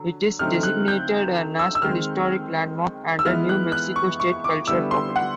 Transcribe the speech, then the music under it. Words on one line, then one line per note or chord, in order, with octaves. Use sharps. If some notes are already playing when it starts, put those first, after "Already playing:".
It is designated a National Historic Landmark and a New Mexico State Cultural Property.
Already playing: D3 F#3
D3 F#3 A3 C4 D#4 F6
F#6
G6
E6
E6
D#3 G#3 C4 F6
E6
E3 G#3 B3 E4 F6
F#6
F#6
C#6
C#6
D6
D3 G3 B3 E4 E6
C6
F#5